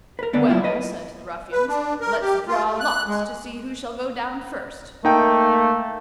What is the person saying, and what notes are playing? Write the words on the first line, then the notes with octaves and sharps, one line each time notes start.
"Well," said the ruffians, "let's draw lots to see who shall go down first."
A#4 B4
D#2 D3 B3 B4 D5
F#3 A3 A#3 E4 F4
B4 D#5
B4
D4
A#4
G4
F4
A3
F#6
G#3
A3 A#3 D#4 G5